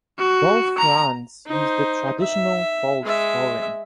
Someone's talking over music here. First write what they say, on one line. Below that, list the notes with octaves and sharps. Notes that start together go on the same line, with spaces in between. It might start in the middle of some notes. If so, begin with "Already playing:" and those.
Both runs used the traditional fault scoring.
F#4
A#5
D#4 C5
E5
G#3 E5